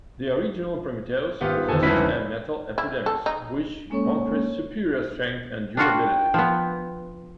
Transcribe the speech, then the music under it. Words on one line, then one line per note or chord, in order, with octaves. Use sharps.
The original Prometheus possesses a metal epidermis, which confers superior strength and durability.
G#1 B3 F4 G4
G1 F2 D#3 A4 G#5 E6
C#2 G2 C#4 E4 B4 B6
E4
A4
D#4
G#3 A#3 C#4 A4 C#5 C#6
D4 F4 F#4 G5
F3 B3